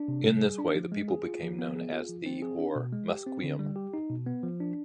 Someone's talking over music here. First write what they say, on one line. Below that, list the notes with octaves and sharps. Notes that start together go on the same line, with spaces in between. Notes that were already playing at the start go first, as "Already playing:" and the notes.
In this way the people became known as the or Musqueam.
Already playing: D4
C3
G3
G#4
D4
F3
G#3
G#4
F4
F3
B3
G#4
F4
F3
C4
G#4
D4
B2
G#3
G4
C4
D3
G3
G4
D#4
B2
B3
F3
D4